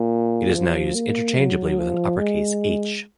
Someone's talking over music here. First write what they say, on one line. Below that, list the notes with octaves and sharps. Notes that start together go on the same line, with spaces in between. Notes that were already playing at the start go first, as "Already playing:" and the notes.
It is now used interchangeably with an uppercase "h".
Already playing: A#2
F3
A#3
F#3
F3
G#3